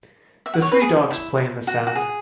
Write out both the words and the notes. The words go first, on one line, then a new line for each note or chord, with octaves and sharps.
The three dogs play in the sand.
E5
F#5
C#5
B4
G#4
E4
F#4
F#4
G#4